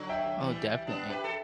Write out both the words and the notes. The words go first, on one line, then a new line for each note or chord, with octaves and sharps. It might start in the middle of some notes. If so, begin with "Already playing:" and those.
Oh, definitely.
Already playing: D3 F#3
E5 G5
E3 G3
B3 D4
G4 B4
A4